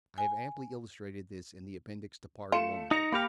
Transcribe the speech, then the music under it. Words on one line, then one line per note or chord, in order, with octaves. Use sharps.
I have amply illustrated this in the Appendix to Part I.
G#5
A3 F4 C#7 E7
D#4 A#6 C#7 F7
A#3 G4 F5 G5 B5